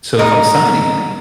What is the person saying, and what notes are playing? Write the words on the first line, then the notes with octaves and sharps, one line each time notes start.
So, if I'm signing it,
D#4 A#4 A#5 D#6